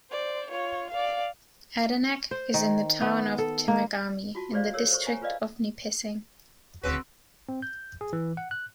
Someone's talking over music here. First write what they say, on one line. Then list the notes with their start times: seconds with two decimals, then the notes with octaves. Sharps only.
Adanac is in the Town of Temagami, in the District of Nipissing.
0.11 C5 D5
0.50 F4 C#5
0.90 D5 F5
2.31 C5
2.54 D#3
3.02 B3
3.38 A4
3.68 A#3
4.35 F4 F#4 A5
4.52 G4 G#4 B4 C5 D5 F5
4.74 A4 A#4 C#5 E6
4.91 C5 C#6
5.05 C#5 G#5 A#5 C#6
5.21 F4 A#4 B4 D5 D#5 F5
6.83 D#1 D2 C#3 C4 F#4 B4 C6 E6
7.49 C4
7.62 G6
8.01 G#4
8.13 E3
8.37 F#5
8.51 F#6